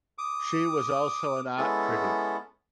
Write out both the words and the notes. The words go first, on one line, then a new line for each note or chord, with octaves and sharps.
She was also an art critic.
D6 D#6
G#3 B3 C#4 E4 A4